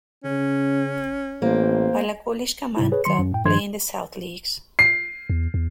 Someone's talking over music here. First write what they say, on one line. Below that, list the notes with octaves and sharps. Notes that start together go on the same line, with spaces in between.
Ballachulish Camanachd Club play in the South Leagues.
C#3 C#4
A1 A#3 C4 C5
G#2 C3 E4
G#4 B4 C#5
D#3 F#3 C6 C#7
F#2
A2 G5
G2 D#3 F3 D4 C6 G#6
C7
E2
E2